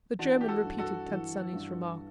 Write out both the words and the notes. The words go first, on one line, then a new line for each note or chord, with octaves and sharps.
The German repeated Tant Sannie's remark.
E3 D4 F#4
G4
F#4 A4
G2
F#4 A4
E3
G2